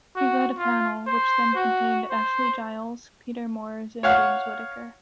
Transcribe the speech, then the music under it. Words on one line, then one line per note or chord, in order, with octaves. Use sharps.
He led a panel, which then contained Ashley Giles, Peter Moores and James Whitaker.
F#4
F4
C5
F#4
C5
C#5 F5 F#5 C#6